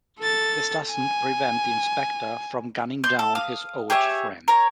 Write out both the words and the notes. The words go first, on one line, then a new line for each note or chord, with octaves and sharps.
This doesn't prevent the inspector from gunning down his old friend.
A4 A6
G#5
C6 G6
A4
F5 D#6
G4 G#4 C#5 E5
A#4 C#5